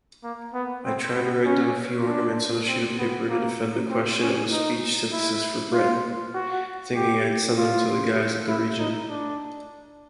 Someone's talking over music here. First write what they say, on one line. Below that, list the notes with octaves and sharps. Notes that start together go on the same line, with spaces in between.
I tried to write down a few arguments on a sheet of paper to defend the question of the speech synthesis for Breton, thinking I’d send them to the guys at the Region.
A#3
B3
C4
B3
C#4
D4
C4
B3
A#3
C4
C#4
D#4
E4
F4
F#4
G4
F4
E4
D#4
D4